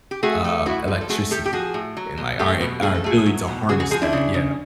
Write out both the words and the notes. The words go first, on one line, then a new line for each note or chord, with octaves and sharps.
um, electricity, and, like, our a our ability to harness that, yeah.
G4
A3 F#4 G#4
A3
A2 E4 F#4
F3
A4
A3 F#4 G#4
A2 G4 A4
G4
F3 F#4 G#4
A2
F#3
B2
A3 G4 A4
B2
A3 G#4
A4
A3 F#4 G#4
F#3
B2
C#3 F#4 G#4
F#4 G#4
F3 F#4 G#4
D4 E4
C#3
C#3